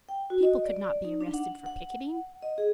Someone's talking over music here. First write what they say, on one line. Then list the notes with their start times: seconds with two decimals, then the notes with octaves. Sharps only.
People could not be arrested for picketing.
0.09 G5
0.30 F#4
0.43 D#5
0.65 D5
1.05 D#4
1.21 D4
1.34 F#5
1.66 F#5
2.43 D#5
2.58 G#4